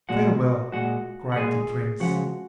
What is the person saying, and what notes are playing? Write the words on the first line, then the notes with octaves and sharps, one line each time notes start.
"Farewell!" cried the Prince.
A#2 G#3 F#4 F#5
A#2 G#3 F#4 F#5
F#5
A#2 G#3 G#4 G#5
C#3 F3 G#3 F#4 F#5